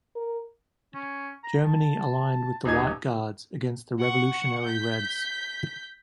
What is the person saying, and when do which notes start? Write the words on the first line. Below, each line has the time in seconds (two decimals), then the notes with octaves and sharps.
Germany aligned with the White Guards against the revolutionary Reds.
0.16 A#4
0.94 C#4
1.43 A#5
1.64 A5
2.65 D#1 D#4 G#4 G#6
3.98 F#5 C#6
4.65 G6 B6